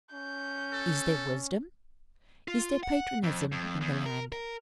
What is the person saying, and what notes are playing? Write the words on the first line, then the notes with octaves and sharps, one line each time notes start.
Is there wisdom, is there patriotism in the land?
C#4 G6
A4
F4
F#5
F2
F2
E2
A#4
A#4